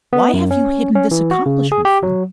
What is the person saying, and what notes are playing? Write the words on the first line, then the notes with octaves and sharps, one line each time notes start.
Why have you hidden this accomplishment from me?
B3
F#2
C#4
C#4
E3
F#4
C#3
G#4
G4
F#3